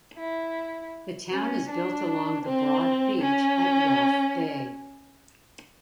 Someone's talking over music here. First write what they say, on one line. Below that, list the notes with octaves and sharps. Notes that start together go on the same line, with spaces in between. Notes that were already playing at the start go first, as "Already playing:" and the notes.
The town is built along the broad beach at Yoff Bay.
E4
C#4
D4
C4
C#4